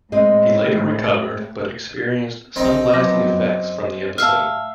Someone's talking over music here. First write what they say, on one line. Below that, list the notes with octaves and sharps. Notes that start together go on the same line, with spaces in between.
He later recovered, but experienced some lasting effects from the episode.
A2 G#3 C4 D#5
A#1 C4 D#4
F3 F#3 B3 D6 A#6
F#2
A2 E5 F5 A5 F6